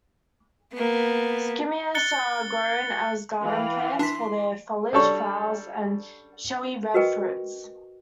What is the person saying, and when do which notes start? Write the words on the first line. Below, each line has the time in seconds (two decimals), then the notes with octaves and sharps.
Skimmias are grown as garden plants for their foliage, flowers, and showy red fruits.
0.72 A#3 B3
1.95 F#6 A6 C#7 G7
3.43 E3 F5 G5 B5
3.99 D4 C6 D6 B6
4.93 G3 D4 A4 C#5 C#6
6.94 F#4 A#4 B4 D#5 G5 C#6